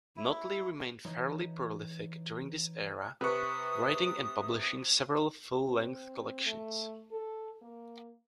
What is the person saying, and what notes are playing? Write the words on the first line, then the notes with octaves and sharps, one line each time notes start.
Notley remained fairly prolific during this era, writing and publishing several full-length collections.
E4
E3 D#4 C#5
C3 B4 C#6 D#6
C4
A3
A4
A#3